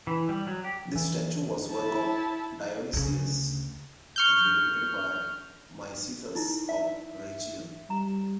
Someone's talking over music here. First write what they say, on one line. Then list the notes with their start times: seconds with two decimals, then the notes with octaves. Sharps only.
This statue was a work of Dionysius, and dedicated by Micythus of Rhegium.
0.07 E3
0.29 G3
0.47 F#3
0.64 G4
0.96 E3
1.72 E4 A5
2.93 D2 C#3
4.16 C#6 F6 G6
6.35 D#4 E4
6.69 E5
7.90 G3 A#5